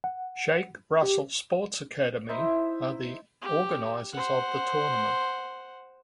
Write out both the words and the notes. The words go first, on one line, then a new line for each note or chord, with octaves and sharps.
Sheikh Russel Sports Academy are the organizers of the tournament.
F#5
G4
D#4 E4 C5 E5
G4
C5 F#5